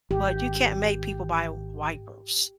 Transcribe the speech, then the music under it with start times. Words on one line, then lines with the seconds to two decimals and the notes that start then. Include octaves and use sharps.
but you can't make people buy wipers.
0.11 G#1 G4